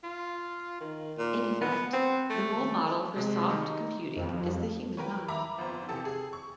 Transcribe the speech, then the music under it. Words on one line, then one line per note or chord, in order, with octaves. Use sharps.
In effect, the role model for soft computing is the human mind.
F4
D#3
A#2
B3
C4
A3
C3 G#3
D#3 G3
D#4
F2
G4 A#4 B4 C#5
E5 A#5 B5 D6
G1 F2 C5
C3 E3 G4 A4 A5 E6
G#4
C#6